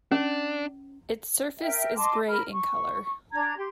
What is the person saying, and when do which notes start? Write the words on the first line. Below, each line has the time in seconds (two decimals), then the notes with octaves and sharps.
Its surface is grey in color.
0.12 C#4 D4
1.58 A#4 E5 G5
1.96 D#5 A5 C6 D6
2.27 A#4 B5 F6
2.51 C#6
3.32 D4 A#5 G#6
3.56 G4 C6